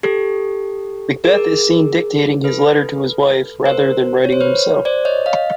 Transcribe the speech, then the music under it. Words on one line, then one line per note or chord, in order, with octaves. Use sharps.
Macbeth is seen dictating his letter to his wife, rather than writing it himself.
G4 A4
G#4 A#4
A4 B4
A#4 C5
C#5
C5
B4 C#5
C5 D5
C#5 D#5
D#5 F5